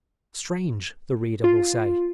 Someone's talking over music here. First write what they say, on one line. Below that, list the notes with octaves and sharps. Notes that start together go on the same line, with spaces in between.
"Strange!" the reader will say.
F4